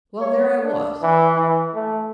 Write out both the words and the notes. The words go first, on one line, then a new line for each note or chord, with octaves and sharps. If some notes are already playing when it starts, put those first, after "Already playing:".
Well, there I was.
C#5
D4
E3
E3
A3